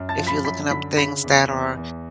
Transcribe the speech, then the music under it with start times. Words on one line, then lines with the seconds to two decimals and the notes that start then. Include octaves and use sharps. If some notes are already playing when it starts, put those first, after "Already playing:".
if you're looking up things that are
Already playing: F#2
0.09 A5 A6
0.18 F3
0.27 B5 B6
0.45 F#2 B5 B6
0.71 D3 B5 B6
0.97 C#3 B5 B6
1.24 E2
1.51 E2
1.77 E2